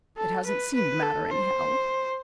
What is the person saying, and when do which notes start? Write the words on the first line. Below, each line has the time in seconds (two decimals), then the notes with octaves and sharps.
"It hasn't seemed to matter, anyhow."
0.17 A4
0.46 B4
0.75 B4
1.02 A4
1.31 C5